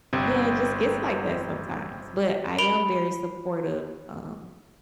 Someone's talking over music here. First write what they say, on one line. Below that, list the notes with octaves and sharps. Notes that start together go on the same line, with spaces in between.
Yeah. It just gets like that sometimes, but I am very supportive. Um,
G1 C3 C4
B5 D7 F7 G7